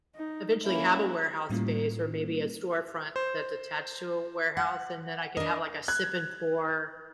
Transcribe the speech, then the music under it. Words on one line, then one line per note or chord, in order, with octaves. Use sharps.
eventually have a warehouse space or maybe a storefront that's attached to a warehouse, and then I could have, like, a sip and pour;
D#4
A#3 C#4 E4
A2 G3 A#3 C#4 E4 F4
C5
F#5
D4 A#4 D#5
F#6 G#6